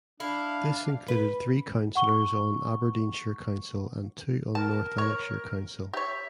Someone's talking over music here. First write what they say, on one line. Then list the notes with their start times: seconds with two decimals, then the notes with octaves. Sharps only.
This included three councillors on Aberdeenshire Council and two on North Lanarkshire Council.
0.20 D4 E4 F5
1.08 B4
1.95 F#5 C#6 G7
4.55 A#4 A5
4.98 C#5
5.93 G4 C#5 E5